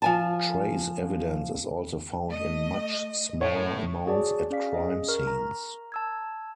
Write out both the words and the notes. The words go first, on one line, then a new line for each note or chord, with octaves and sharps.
Trace Evidence is also found in much smaller amounts at crime scenes.
F3 G#5 A5
A3 D#5
A2 C#5
F#4 G#4 C#5 D5 A5
C#4 G#4 D5 F5 B6
G#4 D#5
A#4 C#6 F6
A#5
A5 E6 G#6